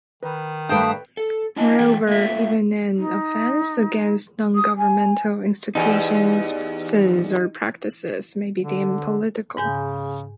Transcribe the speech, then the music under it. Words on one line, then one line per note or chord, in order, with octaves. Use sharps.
Moreover, even an offence against non-governmental institutions, persons, or practices may be deemed political.
D#3 B4
G2 A3 B4 F5 G5 A5 D#6
A4
D4 E4 D#5 G#5 A5
E3 A3 B3 E5 G5
A3 A#3 F4 E5
D#4
D#6
G#5
E2 D#4 G4
D3
G#2 C#3 G#5 G6